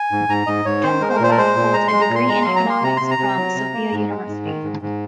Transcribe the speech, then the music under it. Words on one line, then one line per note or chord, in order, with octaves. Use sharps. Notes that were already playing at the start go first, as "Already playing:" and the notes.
Denkova holds a degree in economics from Sofia University.
Already playing: G#5
G#2
G#2 A#5
G#2 D#5
G#2 C#5
D#3 C5
G#3 A#4
C5
A#4
A#2 C5
A#4
G#3 C5
A#2
G#3 A#5
G#3 C6
A#5
A#2
C6
G#3 A#5
F#3 C6
A#5
A#3 C6
C3 A#5
C3 C6
A#5
C3
F#3
C3
A#3
G#2
G#3
G#2
D#3
G#2
G#2